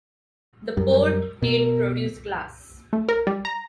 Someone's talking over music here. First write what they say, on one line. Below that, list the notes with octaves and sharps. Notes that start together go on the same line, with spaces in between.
The port did produce glass.
F#2 G3 A#4
B2 A#4
A3
A#4
G3
A#5